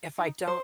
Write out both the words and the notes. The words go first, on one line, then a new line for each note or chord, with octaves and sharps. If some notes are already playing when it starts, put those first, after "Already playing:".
if I don't
D#4
C5